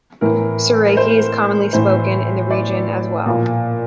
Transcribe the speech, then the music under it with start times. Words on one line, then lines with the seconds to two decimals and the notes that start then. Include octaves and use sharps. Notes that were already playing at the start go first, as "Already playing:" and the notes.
Seraiki is commonly spoken in the region as well.
0.21 A2 E3 A#4
0.88 A#4
0.97 C5
1.73 A2 E3 C5
2.51 D5
3.26 A#2 F3